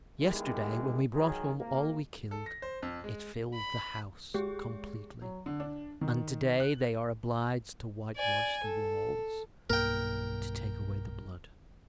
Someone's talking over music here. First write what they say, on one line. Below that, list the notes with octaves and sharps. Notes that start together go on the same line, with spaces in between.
Yesterday, when we brought home all we killed, it filled the house, completely; and, to-day, they are obliged to white-wash the walls, to take away the blood.
D#3 G3 G#3 B3 E4 G4
D#3 F#3 G#4
G#1 A#3
A4
A#6
C5
F2
G#3
B5
G#3 G4 G#4
F#3
D3
D4
D#3
F#6
D5 G#5
A4
B1 G2 A#3 A#4 G5